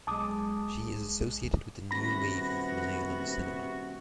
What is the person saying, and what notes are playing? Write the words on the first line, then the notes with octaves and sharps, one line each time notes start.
She is associated with the new wave of Malayalam cinema.
B1 G#3 A5 D6 D#6
D#1 C3 B3 F#4 B5 A#6